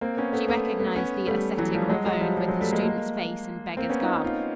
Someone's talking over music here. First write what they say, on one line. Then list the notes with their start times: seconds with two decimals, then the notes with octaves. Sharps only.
She recognized the ascetic Ravone, with his student's face and beggar's garb.
0.01 A#3 C4
0.17 B3 C#4
0.33 A3 B3
0.48 A3 B3
0.80 A3 B3
0.96 B3 C#4
1.27 G3 A3
1.58 E3 F#3
1.74 F3 G3
1.89 F#3 G#3
2.05 F#3 G#3
2.21 F3 G3
2.37 F3 G3
2.48 F#3 G#3
2.60 G3 A3
2.71 G#3 A#3
2.83 G#3 A#3
3.77 A#3 C4
3.89 B3 C#4
4.01 D#4 F4
4.13 D#4 F4
4.24 D#4 F4